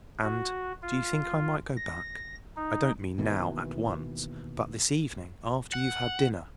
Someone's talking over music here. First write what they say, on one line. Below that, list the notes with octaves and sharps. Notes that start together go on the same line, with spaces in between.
And--do you think I might go back? I don't mean now, at once, but this evening, after you've had dinner.
F#4
F4
A#6
D#4
D#2 B2 D#3 E3
F#5